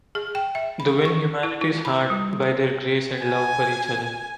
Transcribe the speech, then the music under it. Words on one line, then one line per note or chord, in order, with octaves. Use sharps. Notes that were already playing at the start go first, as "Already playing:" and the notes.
They win humanity's heart by their grace and love for each other.
G#4
G5
E5
B5
C#6
E4
E4
B5
G3
G#5